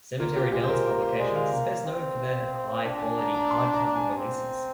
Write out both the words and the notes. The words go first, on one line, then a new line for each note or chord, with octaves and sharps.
Cemetery Dance Publications is best known for their high quality hardcover releases.
A#3 F4
G4
G#3 G4
C5
A#4
A#3 A#4
C5
G#3 D5
F5
A#3
C4
D4 G5
G#5
A#5
A#5
C6
A#5
G#5
C4